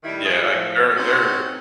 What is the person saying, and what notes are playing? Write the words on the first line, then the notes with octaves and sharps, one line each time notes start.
yeah, like, they're they're
A2 D#3 G3 E4
G#4
A2 F3
C4 C#4 D#4 F#4